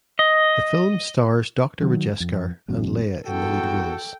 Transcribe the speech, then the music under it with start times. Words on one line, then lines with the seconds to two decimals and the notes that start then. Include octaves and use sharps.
The film stars Doctor Rajasekhar and Laya in the lead roles.
0.19 D#5
1.81 D#3 F#3
2.20 F2
2.68 A1 F#2 B2
3.27 E2 F#4 A4 G5